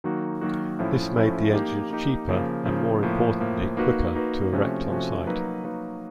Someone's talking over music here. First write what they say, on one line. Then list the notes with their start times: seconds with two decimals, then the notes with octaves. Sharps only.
This made the engines cheaper, and more importantly quicker, to erect on site.
0.04 D#3 F#3 A#3 D#4 F#4
0.41 D#3 F#3 A#3 D#4 F#4
0.79 A2 F3 A3 C#4 E4
1.16 A2 F3 A3 C#4 E4
1.53 A#3 D#4 G4
1.91 A#3 D#4 G4
2.29 C#3 F3 A#3
2.65 C#3 F3 A#3
3.03 A2 F3 A#3
3.40 A2 F3 A#3
3.77 A#3 D#4 F#4 B4
4.15 A#3 D#4 F#4 B4
4.53 C3 F3 A3 C#4 F#4
4.89 C3 F3 A3 C#4 F#4
5.27 F#3 A#3 D#4 F#4 B4
5.64 F#3 A#3 D#4 F#4 B4